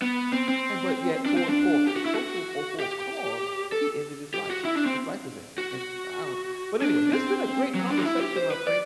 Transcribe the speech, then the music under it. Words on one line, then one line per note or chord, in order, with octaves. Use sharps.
and but yet for for social, or for a cause, he ended his life, his life was ended, and I don't But anyway, this has been a great conversation, my friend.
B3
C4
C4
D4
C4
D4
G4
F#4
E4
F#4
G4
A4
G4
F#4
E4
D4
C4
F#4
D4
C4
F#3
D4
F#4
E4
G4
C5
B4
D5